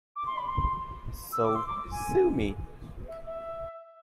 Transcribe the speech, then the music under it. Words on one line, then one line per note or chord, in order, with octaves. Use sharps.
So sue me!
D6
C6
B5
C6
E6
D6
C6
D6
G#5
E5
E5